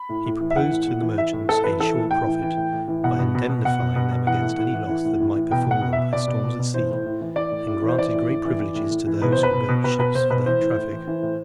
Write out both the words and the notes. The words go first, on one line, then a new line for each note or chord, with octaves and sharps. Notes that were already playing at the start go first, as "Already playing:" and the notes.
He proposed to the merchants a sure profit, by indemnifying them against any loss that might befall them by storms at sea; and granted great privileges to those who built ships for that traffic.
Already playing: B5
A2
A2
E3
E5
E3 F#5
A2
A2
E3
E3 E5
A2
A2 A4
E3 B4
E3 A4
A2
A2 G5
E3
E3
A2
A2
E3
B2 F#5
B2
B2
B2
B2 F#5
B2
B2
B2
E3 F#5
A2
A2
E3
E3
A2
A2
E3
B2 G5
B2
F#5
B2
B2 E5
B2 D5
B2
B2
B2
E3 C5
A2
A2
E3
E3 D5
A2
A2
E3
C5
E3 D5
A2
A2
E3
E3
A2
A2
E3
B2 B4
B2 C5
B4
B2
B2
B2 B4
B2 B4
B2 C5
B2 B4
E3 C5
A2
A2
E3
E3
A2